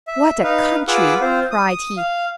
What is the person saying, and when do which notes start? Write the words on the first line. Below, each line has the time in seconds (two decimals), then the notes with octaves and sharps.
"What a country!" cried he.
0.08 E5
0.43 D#4 B4 F5
0.88 F4 G#4 B4 F#5 D6 E6
1.21 C4 F4 C5
1.51 D#6
1.97 F5